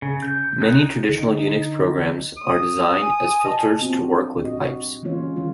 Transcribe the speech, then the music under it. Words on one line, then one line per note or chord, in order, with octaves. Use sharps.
Many traditional Unix programs are designed as filters to work with pipes.
C#3
G6
C#3 D#4 F#6 G6
D3 D#4
D#6
G#5
D#5 A5
A#3 C4 F4 F#4
D4
A#2 F#4 G4 D#5
E3 G#3 A#3 C#4 F4 C#5
D#3 G3 G#3 F4